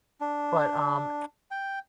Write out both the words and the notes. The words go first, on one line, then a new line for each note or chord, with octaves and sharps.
but, um,
D4
G5